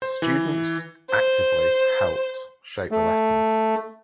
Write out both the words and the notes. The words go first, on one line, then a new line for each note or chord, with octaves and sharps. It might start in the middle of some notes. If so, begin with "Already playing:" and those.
Students actively helped shape the lessons.
C5
E3
C5
A3